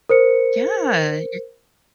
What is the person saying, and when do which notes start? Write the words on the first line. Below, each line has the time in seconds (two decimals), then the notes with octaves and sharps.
Yeah, you're
0.09 A#4 C5 C#7